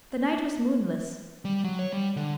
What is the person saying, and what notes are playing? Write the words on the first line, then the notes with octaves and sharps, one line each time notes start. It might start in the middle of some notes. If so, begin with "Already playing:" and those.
The night was moonless.
G3
F#3
C#5
G3
D3